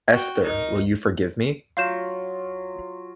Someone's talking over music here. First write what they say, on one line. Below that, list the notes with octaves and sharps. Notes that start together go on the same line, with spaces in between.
Esther, will you forgive me?
F#4 G5
D#4 A#4
F#3 F4 F5 G6 E7